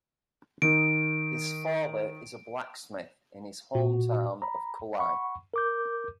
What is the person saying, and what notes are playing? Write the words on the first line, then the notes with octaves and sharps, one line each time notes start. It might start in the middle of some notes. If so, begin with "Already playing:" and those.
His father is a blacksmith in his hometown of Kulai.
D#3 D#4 D7
A#2 F#4
A#5 B5
F#5 B5 C#6
A#4 D6 G6